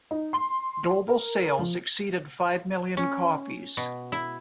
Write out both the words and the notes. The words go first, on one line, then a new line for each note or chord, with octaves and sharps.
Global sales exceeded five million copies.
D#4
C6
A#4
F3
C#4
B2
E4